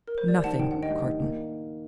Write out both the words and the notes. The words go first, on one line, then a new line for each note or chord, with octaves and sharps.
"Nothing, Carton."
A#4
C5
G3 D5
D#3 F#5 A5
D#2 G5
D4 F#5
D#5 G5
G3
D#3
A#3